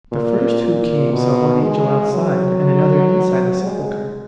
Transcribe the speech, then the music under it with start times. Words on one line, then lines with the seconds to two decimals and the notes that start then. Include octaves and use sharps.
The first who came saw one angel outside and another inside the sepulchre.
0.12 A#2
0.62 A#2
1.12 B2
1.62 G#3
2.12 F#3
3.63 G#3